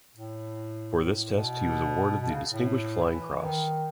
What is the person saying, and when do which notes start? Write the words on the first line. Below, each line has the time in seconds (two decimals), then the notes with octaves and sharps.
For this test he was awarded the Distinguished Flying Cross.
0.16 A2
0.97 A2
1.38 B2
2.20 B2
2.30 C#3
2.51 A2
3.02 E3
3.43 D#3